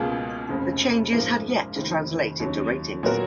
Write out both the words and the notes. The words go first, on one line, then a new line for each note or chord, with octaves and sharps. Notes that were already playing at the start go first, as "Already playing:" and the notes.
The changes had yet to translate into ratings.
Already playing: C#2 B2 A#3 F4 G#4
F1 F2 C#3
A#1 G#2 F3 A#3
F1 F2 D#3
D#2 C#3 F#3
A#2 F#3 B3 F#4 A#4